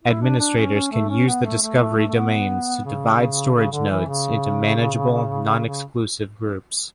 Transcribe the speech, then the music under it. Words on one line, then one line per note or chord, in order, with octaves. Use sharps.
Administrators can use the discovery domains to divide storage nodes into manageable, non-exclusive groups.
E4
D4
D4
C#4
C#4
A3
C#4
B3
A3
A3
A3
A3
A3
B3
C#3
C#3
D3
E3
C#3
C#3